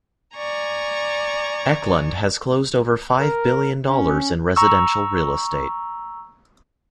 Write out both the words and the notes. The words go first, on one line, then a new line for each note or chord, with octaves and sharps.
Eklund has closed over five billion dollars in residential real estate.
D5 G#5 A#5 C#6
A#4
C#4
A#5 C#6 E6